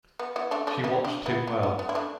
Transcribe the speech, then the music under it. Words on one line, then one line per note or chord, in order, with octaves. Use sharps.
She watched him well.
B3
B3 E4
A3 D4
A3 D4
B3 E4
D4 G4
B3 E4
B3
B3
B3
E4
A3 D4